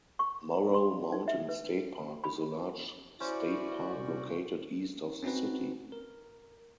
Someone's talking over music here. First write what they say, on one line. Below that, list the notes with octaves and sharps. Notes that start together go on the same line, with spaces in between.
Morrow Mountain State Park is a large state park located east of the city.
C#6
C6
D#4
E5
B4
B5
C#4 E4 F#4 C5 D5
D#1 C3 D#3
C4 C#4 D#4 F#4 B4
A#4